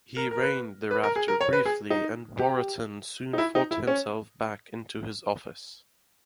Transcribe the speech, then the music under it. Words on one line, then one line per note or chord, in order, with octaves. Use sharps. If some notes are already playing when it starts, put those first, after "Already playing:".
He reigned thereafter briefly and Waratton soon fought himself back into his office.
A#4
A#4
B4
B4
A#4
G#4
A#4
C#5
B4
G#4
D#4
G4
D#4
E4
D#4
E4
C#4